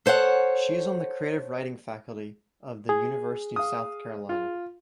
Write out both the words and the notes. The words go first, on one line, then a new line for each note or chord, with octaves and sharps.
She is on the creative writing faculty of the University of South Carolina.
A4 C5 C#5 F#5
G#4
F5 D#6
F4